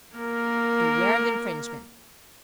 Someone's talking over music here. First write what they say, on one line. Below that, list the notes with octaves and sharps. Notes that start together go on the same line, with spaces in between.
Beware of infringements!
A#3 A#4